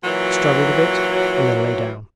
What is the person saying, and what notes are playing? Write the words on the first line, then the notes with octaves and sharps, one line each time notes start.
He struggled a bit and then lay down.
A#2 E3 F#3